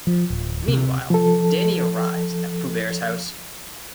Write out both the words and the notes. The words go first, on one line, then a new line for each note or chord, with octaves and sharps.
Meanwhile, Danny arrives at Pooh Bear's house.
F3
D1
C3
F3 A4